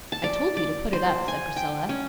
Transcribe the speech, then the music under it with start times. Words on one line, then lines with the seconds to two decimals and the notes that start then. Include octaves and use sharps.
"I told you to put it up," said Priscilla.
0.12 A5
0.24 D5
0.57 D5
0.93 C5
1.28 G#5
1.56 G5
1.89 C#4